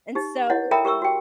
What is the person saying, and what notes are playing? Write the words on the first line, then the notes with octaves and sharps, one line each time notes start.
and so
D#4 G4
E4 C#5 D#5 F#5
A4 A#4 E5 G5 A#5 B5
G4 A#4 C#6 E6
F#4 G5